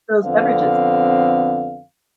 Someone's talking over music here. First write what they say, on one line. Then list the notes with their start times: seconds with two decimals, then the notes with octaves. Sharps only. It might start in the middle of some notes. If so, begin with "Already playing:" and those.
those beverages.
0.25 F2 D3 B3 C4 F5